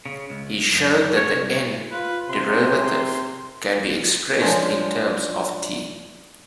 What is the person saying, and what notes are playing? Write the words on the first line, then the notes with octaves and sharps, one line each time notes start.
He showed that the "n" derivative can be expressed in terms of "T".
C#3
C#2
F#2
C#5
C2
F4 B4
C3 C6
F3 G#3 C#4 D4